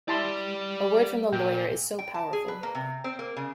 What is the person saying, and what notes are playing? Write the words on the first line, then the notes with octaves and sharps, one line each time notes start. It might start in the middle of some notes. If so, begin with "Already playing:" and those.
A word from the lawyer is so powerful.
E4 G4 D5 A5 C6
A#2 G5
G5
A5
G#4
B4
A#3
C3
C4
A#3
C#3